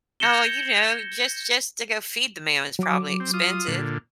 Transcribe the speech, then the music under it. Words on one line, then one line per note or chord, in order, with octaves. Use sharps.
oh, you know, just just to go feed the man is probably expensive.
G6 G#6 A#6 C#7 E7 G7
F#3 D6
C4
F4 D#6
A#2 D3